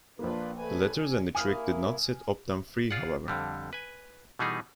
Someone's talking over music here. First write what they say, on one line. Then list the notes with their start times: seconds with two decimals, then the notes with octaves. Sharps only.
The letters and the trick did not set Opdam free, however.
0.19 A#1 A#3 D4 F4 B4
0.57 A3 B4 G#5
0.96 G#5
1.35 A#3 E4 G#5 D#6 F6
2.91 F4 G#4 D5 F#5
3.28 F2 D3 G3
3.73 B4 G#5
4.39 B2 E3 G3 B3 D#4 G#4